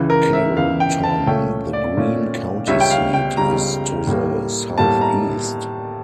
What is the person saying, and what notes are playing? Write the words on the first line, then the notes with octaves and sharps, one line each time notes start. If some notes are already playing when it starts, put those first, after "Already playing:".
Carrollton, the Greene County seat, is to the southeast.
Already playing: C#2 C#3 E3
A#4
E5
C#2 C#3 E3 F5
G5
A5
A#2 A3 C#4 G5
D5
A#2 A3 C#4
C#2 C#3 G3 C#4 E5
G5
F5
G5
C#2 C#3 G3 C#4 A#5
A2 G3 A#3
A2 G3 A#3 A5
A#5